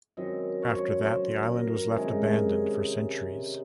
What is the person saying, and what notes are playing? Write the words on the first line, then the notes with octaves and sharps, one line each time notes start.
After that, the island was left abandoned for centuries.
F#2 D#3 F#3 C4 D#5
C#5
C5
C#5
C5
A#4
C3 D#3 G#3 C#4 G#4